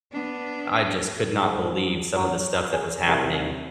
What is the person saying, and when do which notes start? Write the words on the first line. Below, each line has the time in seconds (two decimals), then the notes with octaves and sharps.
I just could not believe some of the stuff that was happening,
0.12 B3 D4
1.45 G#2
2.16 F#3
2.73 G#4
3.08 C2